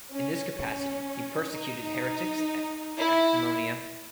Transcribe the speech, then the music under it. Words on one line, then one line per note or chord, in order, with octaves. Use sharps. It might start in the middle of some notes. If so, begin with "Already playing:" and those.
In this capacity he persecuted heretics at Akmoneia.
C#4
C#4
D#4
E4